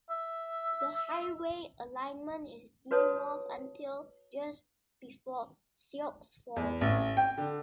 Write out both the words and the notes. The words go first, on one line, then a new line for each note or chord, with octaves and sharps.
The highway alignment is due north until just before Sioux Falls.
E5
F#4 B4 C#5 A5 D#6
E2
A1
G5
D3